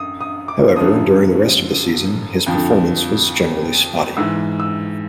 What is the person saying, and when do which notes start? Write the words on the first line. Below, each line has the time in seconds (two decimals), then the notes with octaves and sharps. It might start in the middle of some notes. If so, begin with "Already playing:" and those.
However, during the rest of the season, his performance was generally spotty.
Already playing: F#2 D#6
0.21 D#6
0.48 D6
0.76 F#2 D3 F3 D#6
2.47 F2 D3 F3
4.17 G#2 E3 E6
4.60 E6